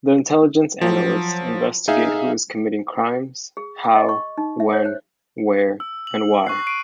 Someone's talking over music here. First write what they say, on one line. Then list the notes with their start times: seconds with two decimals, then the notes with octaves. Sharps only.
The Intelligence analysts investigate who is committing crimes, how, when, where and why.
0.81 F3 F#3
1.88 D#4 G#4 E5 F5
3.57 G#4
3.84 D6
3.96 D#5
4.09 C#6
4.38 D#4
4.60 E5
4.73 C#5
4.85 C5
5.80 E6
6.07 F#7
6.47 C#6 F#6 C7
6.67 C#6 C7 D7 D#7